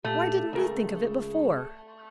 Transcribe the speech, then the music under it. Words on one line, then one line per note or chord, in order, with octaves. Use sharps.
"Why didn't we think of it before?"
A#2 A3 G4
C#2 G#4 A#4 G#5